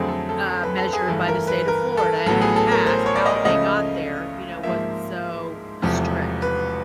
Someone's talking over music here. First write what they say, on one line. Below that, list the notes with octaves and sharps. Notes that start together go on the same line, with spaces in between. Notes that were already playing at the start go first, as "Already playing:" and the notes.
f uh, measured by the state of Florida and they passed, how they got there, you know, wasn't so strict.
Already playing: F2 D3 F#3 A3 C4 G#4
A4
A4
A4
B4
A4
G#4
G1 G2 E3 A3 A4
A#4
B4
A#4
A4
A1 A2 F#3 B3 A4
G#4
A4
A#4
C5
C#5
D5
D#5
C#2 C#3 F3 A3 C#4 D#5
G#2 F3 A#3 E5
E1 E2 C3 F3 A3
B4